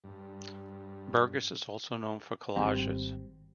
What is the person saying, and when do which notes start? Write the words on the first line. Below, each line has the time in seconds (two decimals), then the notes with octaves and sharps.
Burgess is also known for collages.
0.04 G2
2.56 G#1 G3 C4